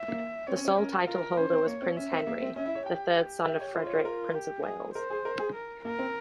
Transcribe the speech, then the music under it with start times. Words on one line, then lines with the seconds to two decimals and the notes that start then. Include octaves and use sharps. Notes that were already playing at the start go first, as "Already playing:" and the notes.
The sole title-holder was Prince Henry, the third son of Frederick, Prince of Wales.
Already playing: E5
0.08 A#3
0.47 C4 C#5
0.56 C#4
0.65 C4
0.77 C#4 A#4
1.06 F4 A#4
1.36 C#4 C5
1.52 C4
1.66 A#3 C#5
1.82 C4
1.97 C#4 E5
2.12 C4
2.27 A#3
2.42 C4
2.56 C#4 E5
2.66 E4
2.75 C#5
2.86 G4 G5
3.46 G4 E5
3.60 C#5
3.75 F4 C5
3.86 C#5
3.95 C5
4.05 A#4
4.35 G4
4.65 G#4
4.94 A#4 C5
5.10 G#4
5.25 A#4
5.39 G#4
5.54 A#4
5.84 A#3 A#4
5.99 C4